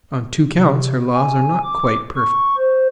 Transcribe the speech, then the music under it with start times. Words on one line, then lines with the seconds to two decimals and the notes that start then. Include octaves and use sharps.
On two counts, her laws are not quite perfect.
0.52 C3
1.13 G#5
1.64 D6
2.16 C#6
2.57 C5